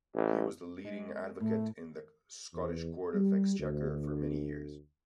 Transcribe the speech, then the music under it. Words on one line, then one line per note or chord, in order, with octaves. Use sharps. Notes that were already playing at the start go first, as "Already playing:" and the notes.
He was the leading advocate in the Scottish court of exchequer for many years.
A1
G#3
A2 A3
E2
G3
D2